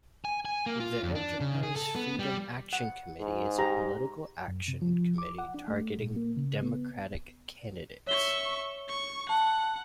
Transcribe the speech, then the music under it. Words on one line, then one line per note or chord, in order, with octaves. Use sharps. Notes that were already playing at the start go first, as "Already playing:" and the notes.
The Enterprise Freedom Action Committee is a political action committee targeting Democratic candidates.
G#5
G#5
A#3
F4
F2
D4
C#3
G#4
A4
B3
G3
F#5
G#2
G4 A#5
F#2
C3
F3
D6
F#5
D4
A3
A#2
A#3
C#3
B3
C#5 E5 C#6 G7
C#6
F#5 A5